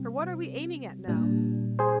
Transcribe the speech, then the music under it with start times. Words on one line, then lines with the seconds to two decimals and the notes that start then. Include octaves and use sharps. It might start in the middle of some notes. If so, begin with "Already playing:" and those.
For what are we aiming at now?
Already playing: C3 G3 C4
1.08 A#2 G3 D4
1.79 G#4 C5